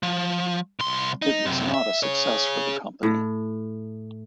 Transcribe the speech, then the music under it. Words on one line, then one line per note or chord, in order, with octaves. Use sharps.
It was not a success for the company.
F3
C2 C6
D#4
F#2 C3
E5
G#4 C#5
A2